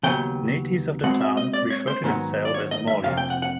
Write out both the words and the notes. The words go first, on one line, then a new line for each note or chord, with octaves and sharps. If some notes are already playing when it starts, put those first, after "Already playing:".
Natives of the town refer to themselves as Morleians.
D#2 C#3 F#3 B3 G5
B2 G#3 C4 F#5
E5
D#5
D5
C#5
C5
G#2 D#3 F#3 B3
D5
C#5
D#5
E5
F2 C3 F5
G5
F#5
F#5